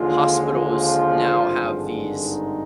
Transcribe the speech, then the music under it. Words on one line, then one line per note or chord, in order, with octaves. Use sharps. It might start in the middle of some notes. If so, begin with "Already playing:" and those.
hospitals now have these,
Already playing: D#2 D3 F3 G#3 F4
F3 F4
G#1 G2 D3 G#3
D#3 D#4